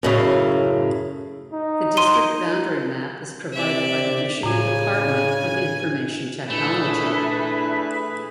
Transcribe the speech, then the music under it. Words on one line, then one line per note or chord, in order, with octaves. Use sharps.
The district boundary map is provided by the Michigan Department of Information Technology.
F#2 A2 C#3
D#4
C6 D#7 G7
C3 D5 E5
A2 C#3 F4 G#5
G#4
A#2 A3 D4 E4 G#4 B4